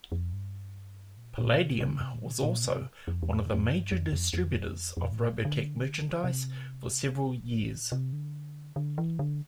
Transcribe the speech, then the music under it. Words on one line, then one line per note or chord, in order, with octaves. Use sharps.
Palladium was also one of the major distributors of "Robotech" merchandise for several years.
F2
G2
A#2
A#2
C3
C3
D3
C3
A#2
A#2
C3
F2
E2
F2
F2
G2
F2
F2
F2
F2
A2
D3
C3
D3
A#2
C3
D3
D3
E3
D3